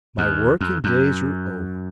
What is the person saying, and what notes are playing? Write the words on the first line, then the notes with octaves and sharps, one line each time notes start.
My working days are over.
D#2
F2
F#2